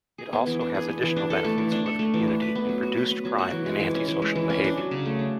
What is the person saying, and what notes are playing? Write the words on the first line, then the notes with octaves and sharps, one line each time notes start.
It also has additional benefits for the community in reduced crime and anti-social behaviour.
G#4
B3
E3
D4
G#4
B3
E3
D4
A4
A3
E3
D4
A4
A3
E3
D4
B4
B3
F#3
F#4
B4
B3
F#3
F#4
E3
G#3
E3
C#4
E3
G#3
E3
C#4
D4
F#3
C#3
A3
D4